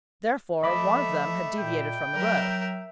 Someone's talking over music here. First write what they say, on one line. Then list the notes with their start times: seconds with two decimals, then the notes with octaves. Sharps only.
Therefore, one of them had deviated from the road.
0.63 F3 A3 D#5 E5 B5 D6
1.59 A#2 G5
2.15 F#3 A#4 E5